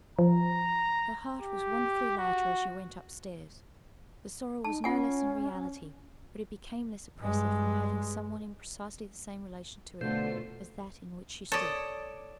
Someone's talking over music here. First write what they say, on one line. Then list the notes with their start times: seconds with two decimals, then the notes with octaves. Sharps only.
Her heart was wonderfully lighter as she went up-stairs; the sorrow was no less in reality, but it became less oppressive from having some one in precisely the same relation to it as that in which she stood.
0.19 F3 A#5
1.41 G4
2.18 F#4
4.64 D#4 A5
4.84 C#4 F4 F#5 G#5
7.19 G2 G#3
10.01 B2 D3 A3 F4 A4 C5
11.52 A4 C#5 D5 D#6